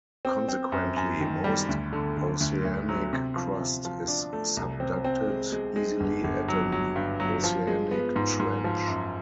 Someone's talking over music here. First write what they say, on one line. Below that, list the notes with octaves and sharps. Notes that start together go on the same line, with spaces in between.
Consequently, most oceanic crust is subducted easily at an oceanic trench.
C4
C4
F#2
F#2
D#3
G3
D2
D3
D3
D2
D2
F#3
C3
F3
C3
F3
D4
A3
C2
C4
C4
G#3
G#3
G#3
G1
G1
F#3
F#3
G2
F#3
F3
G#3
B3
G#2
G#2
F3
F#2